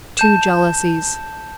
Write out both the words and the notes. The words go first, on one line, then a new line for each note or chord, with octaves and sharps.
Two Jealousies.
A5 G6 E7